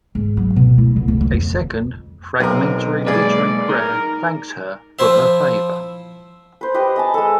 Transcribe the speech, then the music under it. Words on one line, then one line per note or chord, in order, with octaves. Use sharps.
A second, fragmentary literary prayer thanks her for her favor.
G#2
F#3
B2
E4
D3
C#2
D3
F2
B1 C3 A#4
G#1 G#3 A#3 G#4 B4 D5
D#4 A#4
F3 E4 C5 E5
B4 C5
G4 B4 D#5
D#5 G#5 A5
G#3 A4